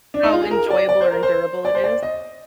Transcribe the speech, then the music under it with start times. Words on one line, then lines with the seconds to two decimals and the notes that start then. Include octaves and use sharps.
how enjoyable or endurable it is?
0.14 D4
0.23 D#4
0.33 F4
0.42 G#4
0.51 A#4
0.70 D5
0.89 D5
1.01 C5
1.11 A#4
1.23 C5
1.65 D5
1.75 C5
1.84 D5
2.03 D#5